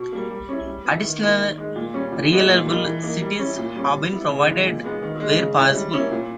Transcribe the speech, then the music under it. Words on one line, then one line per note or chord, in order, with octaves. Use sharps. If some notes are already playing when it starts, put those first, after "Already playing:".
Additional reliable cites have been provided where possible.
Already playing: B2
G3 A#3
G3
C#4 E4
G3
B3 E4
D#3
A#3 E4
D#3
G#3 D#4
A#2
G3 C#4
A#2
G#3 B3 D#4
A#2
G3 A#3 D#4
E3
A#3 D#4
G3
C#4 E4
A#2
G3 C#4
G3
B3 E4
C#3
E3 G#3 D#4
A#2
G#3 B3 D#4
D#3
G#3 D#4
C#3
G#3 C#4 E4
G3
A#3 C#4 E4
A#2